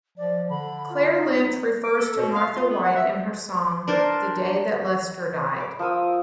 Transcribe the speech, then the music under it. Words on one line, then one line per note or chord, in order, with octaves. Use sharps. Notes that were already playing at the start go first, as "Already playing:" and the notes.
Claire Lynch refers to Martha White in her song The Day That Lester Died.
F3 D5
D3 B5
F4
D#4
D6
A4
B2
F5
F4
B3
F#5
E5
D4 A#4 C5 D5
B5 D6
F3 A#4 D#6 E6